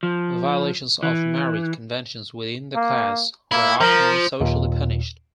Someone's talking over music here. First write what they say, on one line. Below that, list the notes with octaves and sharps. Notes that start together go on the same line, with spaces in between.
Violations of marriage conventions within the class were often socially punished.
F3
E3
A#3
A#3 E4
F3 A#4
D#2 A#2